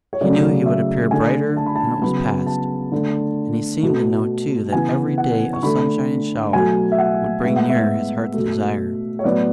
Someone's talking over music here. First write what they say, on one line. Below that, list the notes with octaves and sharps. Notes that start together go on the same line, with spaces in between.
He knew he would appear brighter when it was past, and he seemed to know, too, that every day of sunshine and shower would bring nearer his heart's desire.
C#5
C#3 F#3 A3 D5
E5
D3 A3 G#5
A5
B5
A5
C#3 F#3 B3 B5
A5
D3 A3
B2 A3
C#3 E3 B3 G#5
F#5
C#6
D3 A3 B5
B2 F#3 A3 G#5
E5
F#5
A2 G#3 B3 E5
F#5
E5
B2 A3
C#5
A2 F#3 B3 D5